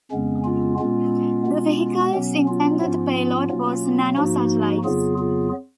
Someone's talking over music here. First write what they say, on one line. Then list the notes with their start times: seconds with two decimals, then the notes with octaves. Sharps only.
The vehicle's intended payload was nano-satellites.
0.11 F2 C#3 G#3 B3 C#4
0.45 C#4 F4
0.79 A#2 G#3 B3 C#4 F4
1.46 B2 G#3 B3
2.14 B2 F#3 B3 C#4
2.48 C#4 F4
2.82 G#2 F3 B3
3.49 B2 F#3 A#3
4.17 G#2 F3 A#3 D#4 F#4
4.84 F2 C#3 F#3 B3 F4 G#4
5.18 F4 G#4